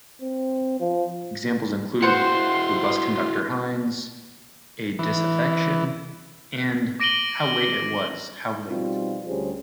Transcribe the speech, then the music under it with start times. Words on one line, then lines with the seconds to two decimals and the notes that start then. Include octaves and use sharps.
Examples include "The Busconductor Hines", "A Disaffection" and "How Late It Was, How Late".
0.21 C4
0.80 F3
2.02 E4 F#4 C5 F#5 C6
4.99 E3
7.00 D6 A#6 D7 D#7 F#7 G7
8.68 B2 F3 G3 C4 D#4 F4
9.26 D2 G3 C#4 G4 G#4 C5